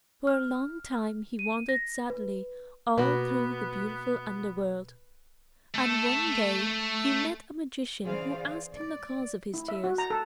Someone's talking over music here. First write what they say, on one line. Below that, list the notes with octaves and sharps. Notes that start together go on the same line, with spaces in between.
For a long time he wandered sadly all through the beautiful underworld, and one day he met a magician who asked him the cause of his tears.
F6
D#7
A#6
B4
B2 A#3 B3 F#4 B4
A3 A4
C#3 E3 G#4 C5 D5 F5
D5
E4
E5
F#4
A#5
A4